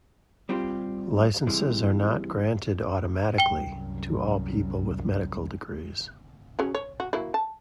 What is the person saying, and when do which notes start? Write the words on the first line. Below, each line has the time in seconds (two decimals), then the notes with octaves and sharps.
Licenses are not granted automatically to all people with medical degrees.
0.49 G3 C4 F4 G4 C5
1.47 G2 C3 E3 G3 G#3
3.38 C2 F#2 G5 G7
6.59 F#3 C#4 G#4
6.75 C#5
7.00 F#4
7.13 F#3 A#3 E4
7.34 A5